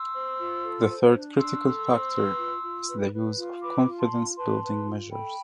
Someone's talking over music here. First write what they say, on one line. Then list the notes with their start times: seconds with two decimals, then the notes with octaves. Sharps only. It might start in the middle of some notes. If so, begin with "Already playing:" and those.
The third critical factor is the use of confidence-building measures.
Already playing: C6 E6
0.14 C5
0.38 F4
0.63 A4
0.88 C5
1.14 D4
1.38 D4 C6 E6
1.63 A4
1.88 C5
2.13 B4
2.38 F4
2.63 F4
2.88 B4
3.12 B4
3.37 F4
3.62 B4 B5 D6
3.87 F4
3.99 A5 C6
4.12 F4
4.37 B4 A5 C6
4.62 B4
4.87 F4
5.11 A4 G5 B5